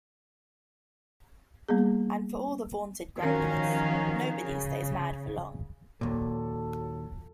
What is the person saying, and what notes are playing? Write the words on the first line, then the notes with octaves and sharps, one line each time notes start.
And for all the vaunted grumpiness, nobody stays mad for long.
G3 A#3 B3 G#4
D#3 F3 C#4 F#4 A#4 F5
C#3
D#2 A#2 F#3 A4